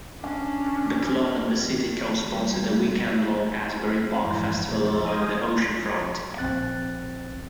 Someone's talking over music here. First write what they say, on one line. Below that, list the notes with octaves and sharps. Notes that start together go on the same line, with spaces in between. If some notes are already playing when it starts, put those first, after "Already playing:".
The club and the city co-sponsored a weekend-long Asbury Park Festival along the oceanfront.
C#4 D4
D#3
G3
C4
F2 G#2 E3
B2 F3 G3 G#3 C4
F2 F3 G#3 C#5 E5 A5
D#5 F5 G5 G#5 A#5 D#6
A#1 C4 F#6 A6